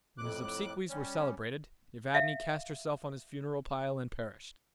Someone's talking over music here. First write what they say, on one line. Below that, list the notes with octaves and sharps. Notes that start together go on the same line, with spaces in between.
When his obsequies were celebrated, Evadne cast herself on his funeral pile and perished.
F2 A2 D6 F#6
G3 C#4
E5 F5